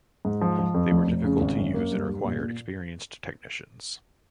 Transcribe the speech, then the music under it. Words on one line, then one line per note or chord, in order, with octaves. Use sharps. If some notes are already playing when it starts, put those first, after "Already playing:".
They were difficult to use and required experienced technicians.
G#2
F3
F3
F2
F1
F1
C#3
G#1
F#2
A#3
G2
G2
A#2
A#2